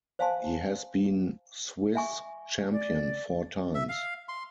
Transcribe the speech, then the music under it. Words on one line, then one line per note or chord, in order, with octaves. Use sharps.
He has been Swiss champion four times.
C5 E5 F5 G#5 A5 C6
E5 G#5 C#6
D5
E5
F5
C6